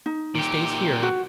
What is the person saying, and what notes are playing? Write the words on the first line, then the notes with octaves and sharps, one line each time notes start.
He stays here.
D#4
A#2 G4
F#4